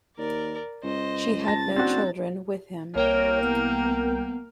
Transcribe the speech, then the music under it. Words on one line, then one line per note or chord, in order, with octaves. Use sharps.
She had no children with him.
D#2 A#4 D5
C#2 C5 D#5
A5 A6 A#6
F#1 C4 D4 F#4
C2 A#3 A#4 C#5 G5
B3